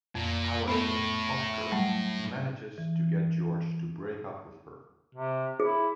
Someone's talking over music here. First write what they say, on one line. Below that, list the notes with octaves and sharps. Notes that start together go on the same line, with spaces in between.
However, Oscar manages to get George to break up with her.
F2 A#2
A2 B3 A4
F#3 G3 A3
E3
C3
E4 G#4